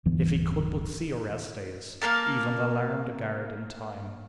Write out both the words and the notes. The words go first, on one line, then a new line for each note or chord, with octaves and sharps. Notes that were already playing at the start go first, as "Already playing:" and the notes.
If he could but see Orestes, even alarm the guard in time!....
D1 G2 E3 B3
A#3 B3 A#4 A5